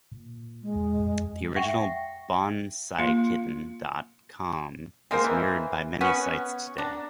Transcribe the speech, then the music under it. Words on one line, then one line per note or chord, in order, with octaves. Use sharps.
The original bonsaikitten dot com is mirrored by many sites today.
A#2
G#3
E2
F2
E5 F#5 G5 C#6
A#3 F4
G#3 A#3 A#4 C5
E3
B3 C#4 F#4
D4 A#5